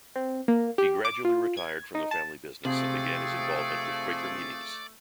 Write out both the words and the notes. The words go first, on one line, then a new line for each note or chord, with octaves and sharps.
He gradually retired from the family business and began his involvement with Quaker meetings.
C4
A#3
G4
D6
F4
G#6
D#4
A5
C3 F3 A3 C4 G#4 D5